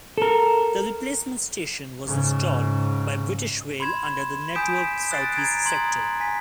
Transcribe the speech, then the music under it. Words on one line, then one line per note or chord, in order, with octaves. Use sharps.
The replacement station was installed by British Rail under the Network SouthEast sector.
A4 A#4
G#2 C#3
B5 C6 G#6 E7
G#5 D#6 G6 B6 D7 E7
D#6 F#6 A6 C7 D7
A#5 G#6 A6 D7
A#5 C6 D#6 G#6 F#7
G#5 B6